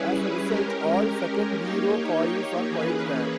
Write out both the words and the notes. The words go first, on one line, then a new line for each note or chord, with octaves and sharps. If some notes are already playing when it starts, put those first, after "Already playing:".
As a result, all Second Bureau coils are quite rare.
Already playing: G3 C#4 E4 G#4 B4
G#3 C#4 G4 A#4
A#3 D#4 G4 C#5
E3 A#3 C#4 G#4 B4